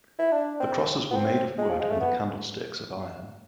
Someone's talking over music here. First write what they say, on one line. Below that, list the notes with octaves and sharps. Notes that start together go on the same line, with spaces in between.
The crosses were made of wood and the candlesticks of iron.
E4
D4
C4
B3
C4
G#3
F3
G#3
A3
B3